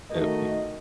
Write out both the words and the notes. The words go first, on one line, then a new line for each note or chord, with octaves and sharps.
That'd be
D#3 A3 D#4 F#4 A#4 D#5